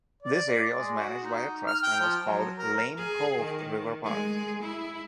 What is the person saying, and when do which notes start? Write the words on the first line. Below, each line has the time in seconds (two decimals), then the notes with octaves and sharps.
This area was managed by a trust and was called Lane Cove River Park.
0.22 D5
0.78 G#3
0.97 F#4
1.23 D#4
1.67 F6
1.83 G5
2.00 F3
2.23 F#3
2.59 A#4
2.97 G#4
3.39 D#3
4.03 G#3 G#4
4.62 E4